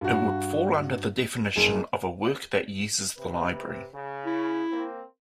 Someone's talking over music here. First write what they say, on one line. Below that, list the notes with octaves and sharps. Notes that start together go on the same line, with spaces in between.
It would fall under the definition of a "work that uses the Library".
G2 F#4
F#1 G#4
C3 B4
C#3
E4
A#3 C4